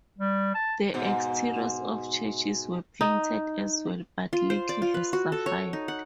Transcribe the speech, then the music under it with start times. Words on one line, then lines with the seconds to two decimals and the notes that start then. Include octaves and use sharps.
The exteriors of churches were painted as well, but little has survived.
0.19 G3
0.54 A5
0.94 G#2 B2
3.01 D#4
4.33 F4
4.50 C5
4.69 D5
4.82 F4
4.94 B4
5.13 F#4
5.32 A4
5.46 C#5
5.73 D#4
5.88 F#5